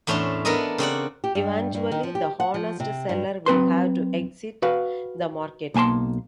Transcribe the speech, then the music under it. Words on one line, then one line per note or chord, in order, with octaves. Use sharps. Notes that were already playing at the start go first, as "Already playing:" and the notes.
Eventually, the honest seller will have to exit the market.
E2 A2 C#4 D4 A5 C6
B3 D4 A4 A#4 D#5
C#3 C4 D5 F#5
G4
G2
G2
D#3
F3
G4
F#5
F3
C3
G2
F#3 C4 B4 C6
F#4 B4 F5
B1 A#3 G#5 A5 C6